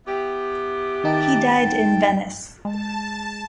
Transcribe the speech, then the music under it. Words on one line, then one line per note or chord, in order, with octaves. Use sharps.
He died in Venice.
B3 E4 G4
D#3 D#4 G5 A5
G#3 A5